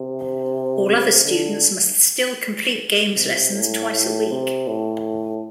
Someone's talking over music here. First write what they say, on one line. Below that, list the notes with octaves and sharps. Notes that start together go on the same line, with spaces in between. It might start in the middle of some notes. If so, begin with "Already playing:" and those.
All other students must still complete Games lessons twice a week.
Already playing: C3
C3
D3
C3
A2
A2
C3
A2